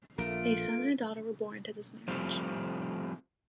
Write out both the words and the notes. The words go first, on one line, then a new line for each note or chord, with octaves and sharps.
A son and a daughter were born to this marriage.
A#1 A3 F4 A#4 D7
F3 G3 A3 C4